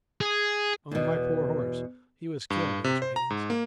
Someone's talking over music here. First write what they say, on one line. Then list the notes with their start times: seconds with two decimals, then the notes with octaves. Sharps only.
"Only my poor horse; he was killed," answered Haines.
0.21 G#4
0.91 E2 B2
2.50 G2
2.84 C3
3.02 C5
3.16 A#5
3.30 G#2
3.50 A#3